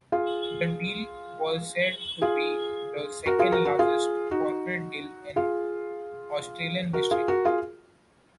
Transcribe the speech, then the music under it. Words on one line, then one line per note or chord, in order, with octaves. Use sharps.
The deal was said to be the second largest corporate deal in Australian history.
F4 G#4
F4 G#4
F#4 A#4
F4 G#4
F#4 A#4
F#4 A#4
F4 G#4
D#4 F#4
F4 G#4
F#4 A#4
F4 G#4
F#4 A#4
F4 G#4